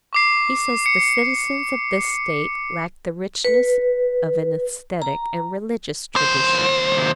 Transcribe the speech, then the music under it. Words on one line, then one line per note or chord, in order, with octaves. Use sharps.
He says the citizens of this state lack the richness of an aesthetic and religious tradition.
C#6 D6 C7
C#7
B4
A#5
D#2 C5